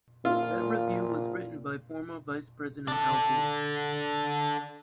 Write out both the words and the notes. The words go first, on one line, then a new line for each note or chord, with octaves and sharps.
That review was written by former Vice President Al Gore.
A#2 F4
D4 A4